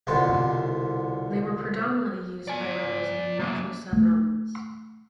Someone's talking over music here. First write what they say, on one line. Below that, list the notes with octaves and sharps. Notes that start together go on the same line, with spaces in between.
They were predominantly used by rebels in the Nafusa Mountains.
C2 B2 D3 F4 C5
D5 G#5
F#3 A#3
A3